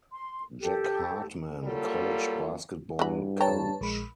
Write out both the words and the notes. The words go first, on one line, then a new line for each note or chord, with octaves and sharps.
Jack Hartman, College basketball coach.
C6
G4 A4
F#3 G3 A#3 F4 A4
G2 E3 F#3 B5
B4 C#5 G5 A5 A#5
A#1 G#3 B5